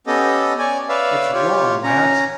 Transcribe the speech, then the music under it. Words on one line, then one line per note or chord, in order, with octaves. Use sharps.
"It's wrong, lads!"
B3 C#4 G4 A4 D#5
C#5 D5 G#5
B4 C#5 D5 E5 F5
F4 G4 C#5
C#4 A#5